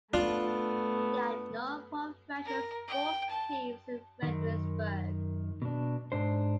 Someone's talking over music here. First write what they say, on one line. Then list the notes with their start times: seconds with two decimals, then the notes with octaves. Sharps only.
There are no professional sports teams in Fredericksburg.
0.14 A3 B3 D4 F4 F5
2.45 A#4
2.87 G5
3.30 A5
4.22 F#2 D#3
5.62 B2 D4
6.12 G#2 D4 C5